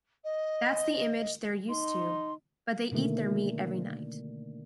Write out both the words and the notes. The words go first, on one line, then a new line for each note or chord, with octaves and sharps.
That's the image they're used to, but they eat their meat every night.
D#5
D#4 C6
B2 D3 D#3 A3 A#3